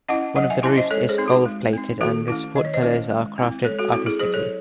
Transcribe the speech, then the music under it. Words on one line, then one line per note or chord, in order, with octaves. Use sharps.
One of the roofs is gold plated and the support pillars are crafted artistically.
C#4 E4 D#5 F#5
F#3 D#5 F#5
E5 G#5
C#4 E4 G#5 C6
C5 D#5
G#3 A4 C#5
G#4 C5
C4 D#4
F#4
G#3
C4 D#4
D#3 F#4 A4
A3 C#4 E4
D#3 D#5
C#5
C5 D#5
A3 C#4 E4
G#3
C4 E4
G#3 A4 C#5
F#4 A4
C4 E4 F#4
E4 G#4
F#3 G#4 C5
A4 C#5